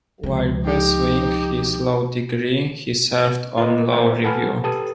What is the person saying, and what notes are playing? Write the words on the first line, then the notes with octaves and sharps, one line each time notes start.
While pursuing his law degree he served on Law Review.
C#2 F3
D#4 G4
F4 B4 D#5
A#3 B4 C5 D5 E5 G5
A4 B4 F#5 G#5 B5 F6
G4 A4 B4 A5 D#6